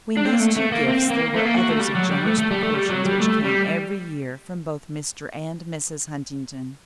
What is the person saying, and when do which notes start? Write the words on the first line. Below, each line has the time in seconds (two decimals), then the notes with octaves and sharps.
Between these two gifts there were others of generous proportions which came every year from both Mr. and Mrs. Huntington.
0.17 D4
0.26 C4
0.33 A#3
0.40 A3
0.57 A3
0.72 A#3
0.88 C4
1.10 A#3
1.34 A3
1.45 A#3
1.58 F#4
1.69 A3
1.80 G3
1.96 F#3
2.11 G3
2.27 A3
2.38 A3
2.51 G3
2.63 A3
2.74 G3
2.90 F#3
3.06 G3
3.20 A3
3.44 G3